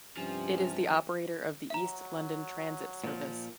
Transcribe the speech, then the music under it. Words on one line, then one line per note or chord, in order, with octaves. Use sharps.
It is the operator of the East London Transit service.
G2 C3 F3 C#4
F#3 E5 A#5
A#2 F3